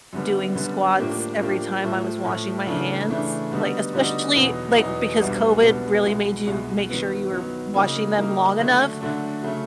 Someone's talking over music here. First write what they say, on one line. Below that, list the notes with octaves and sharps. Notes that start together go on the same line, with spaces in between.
doing squats every time I was washing my hands like, especially, like because COVID really made you make sure you were washing them long enough.
F#2 D3 G3 B3
F#2 D3 G3 B3
A2 F3 A#3 D4 G4
A2 F3 A#3 D4 G4
A2 F3 A3
A2 F3 A3
C#3 E3 A3 D4
C#3 E3 A3 D4
D3 G3 B3 D#4 F#4
D3 G3 B3 D#4 F#4
E2 B2 F#3 B3 D#4
E2 B2 F#3 B3 D#4
C2 B2 G3 B3 D4
C2 B2 G3 B3 D4
C2 B2 G#3
C2 B2 G#3
D#3 F#3 B3
D#3 F#3 B3
C#3 F#3 A#3 D#4
C#3 F#3 A#3 D#4
D3 F#3 A3 D4
D3 F#3 A3 D4
C#3 F#3 A3